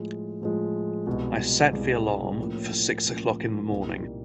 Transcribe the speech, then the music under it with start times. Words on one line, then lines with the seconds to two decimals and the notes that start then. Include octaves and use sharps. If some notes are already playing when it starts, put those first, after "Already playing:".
I set the alarm for six o'clock in the morning.
Already playing: A2 F3 G#3
0.41 A2 F3 G#3
1.07 C2 B2 G#3
1.73 C2 B2 G#3
2.39 A2 F3 A#3 C#4
3.05 A2 F3 A#3 C#4
3.70 C2 A#2 G3 A#3 D#4